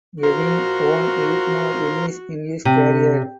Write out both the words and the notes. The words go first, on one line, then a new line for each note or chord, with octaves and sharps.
Ewing won eight more Emmys in his career.
F4 F#4 A#4 C5
C3